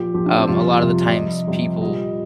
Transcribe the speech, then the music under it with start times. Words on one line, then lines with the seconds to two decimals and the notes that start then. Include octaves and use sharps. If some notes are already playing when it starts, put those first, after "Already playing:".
um, a lot of the times, people
Already playing: A#2 F3 G4
0.14 A#2 F3 G4
0.26 D4
0.37 C4
0.48 F2 C3 G3 F4
0.81 F2 C3 G3
1.05 D5
1.14 F2 C3 G3 D#5
1.47 F2 C3 G3
1.81 A#2 G3 D#5